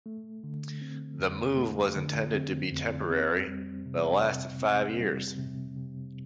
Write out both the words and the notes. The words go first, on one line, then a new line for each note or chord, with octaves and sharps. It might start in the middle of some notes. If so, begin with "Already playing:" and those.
The move was intended to be temporary, but lasted five years.
A3
D3
C4
F2
A3
D3
C4
F2
C4
G3
C3
C3
C4
G3
C3
C3